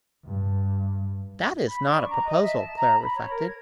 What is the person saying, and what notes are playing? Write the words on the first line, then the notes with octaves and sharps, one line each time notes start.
"That is not a proposal," Clara reflected.
G2
B5
D4
C#6
A#5
D#5
E5
A5
A#5
B5
C#5
A#4
G#6